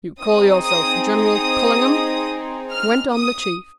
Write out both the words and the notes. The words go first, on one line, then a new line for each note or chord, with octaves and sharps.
"You call yourself General Collingham?" went on the Chief.
C4 D#4 G#4 D#6
D#6
D#6
F6
D#6